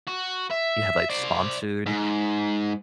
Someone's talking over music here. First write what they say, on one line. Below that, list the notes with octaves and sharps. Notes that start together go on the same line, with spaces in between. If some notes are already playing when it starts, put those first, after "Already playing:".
you have, like, sponsored,
F#4
E5
C5 D5
G#2